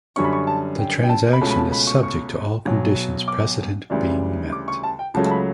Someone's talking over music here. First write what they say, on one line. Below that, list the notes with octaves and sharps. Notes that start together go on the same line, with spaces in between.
The transaction is subject to all conditions precedent being met.
F#2 D3 G3 C#4 C#6
B5
C#6
A5
G5
G5
A5
B5
C#2 B2 A3 C#4 A5
B5
A5
B5
C#6
C#6
B1 B2 F#3
D6
D2 C#3 E3 G3 D4
D6
C#6
A5
G5
C#2 C#3 F#3 A3 A5
A5
B5